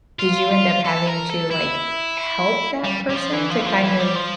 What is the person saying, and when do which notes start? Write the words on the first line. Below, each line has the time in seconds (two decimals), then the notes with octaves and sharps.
did you end up having to, like, help that person to kind of
0.19 F4
0.52 F4
0.86 A4
1.07 A#4
1.30 A4
1.51 E4
2.84 G3
3.10 G3
3.16 F3
3.33 E3
3.50 F3
3.61 E3
3.66 F3
3.83 E3
3.99 G3
4.15 F3